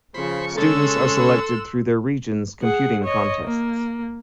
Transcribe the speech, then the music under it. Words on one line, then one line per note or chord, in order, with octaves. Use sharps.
Students are selected through their regions' computing contests.
C#3 F3 C5 B5 C#6
C#3 G#3 C#4 A4 C6 E6 F#6
G#4 F#5
C#5 D#5
A#3